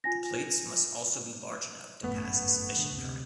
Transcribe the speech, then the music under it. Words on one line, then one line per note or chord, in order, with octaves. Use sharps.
The plates must also be large enough to pass sufficient current.
F4 G#5 A#6
G1 F#2 A2 A3 B3
F#1 D3
D2 C3